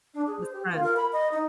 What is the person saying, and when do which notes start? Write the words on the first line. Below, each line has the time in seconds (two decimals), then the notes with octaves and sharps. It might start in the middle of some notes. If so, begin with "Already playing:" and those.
with friends.
0.14 D4
0.27 G#4
0.41 C5
0.53 G4
0.68 F4
0.84 A#4
0.96 B5
1.13 D#5
1.32 D#4